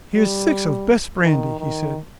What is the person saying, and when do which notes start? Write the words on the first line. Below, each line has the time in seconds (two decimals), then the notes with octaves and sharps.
"Here's six of best brandy," he said.
0.15 G3
1.23 D#3
1.59 D#3